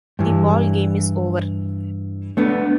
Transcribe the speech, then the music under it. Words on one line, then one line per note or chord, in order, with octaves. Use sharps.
The ball game is over!
G2 E3
A3 B3 D4